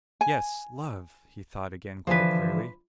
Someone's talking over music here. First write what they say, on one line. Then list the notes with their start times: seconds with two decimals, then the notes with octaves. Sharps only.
"Yes--love," he thought again quite clearly.
0.21 G#5
2.07 D3 E3 F3 B4 C5